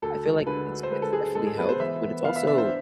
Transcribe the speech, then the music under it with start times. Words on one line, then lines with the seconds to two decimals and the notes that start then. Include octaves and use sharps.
I feel, like, it's it's definitely helped, but it's also
0.02 D2 A4
0.25 G#3
0.46 D3 B4
0.69 D2
0.83 C5
0.91 G#3 B4
1.02 A4
1.13 G#3 G#4
1.35 G#3 A4
1.46 G#4
1.58 B3 B4
1.69 C5
1.80 E3 E5
2.02 B3
2.24 B3 F5
2.36 E5
2.47 D4 E5
2.58 C5